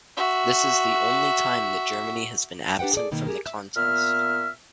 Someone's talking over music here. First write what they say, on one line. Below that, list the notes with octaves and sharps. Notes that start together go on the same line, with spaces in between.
This is the only time that Germany has been absent from the contest.
F#4 E5
D4 G4 B4 F#5 G5
G#4 A4 D5
B2 D#3 A#3
G4 G#4 A#4
E5
A#2 B3 E5 F6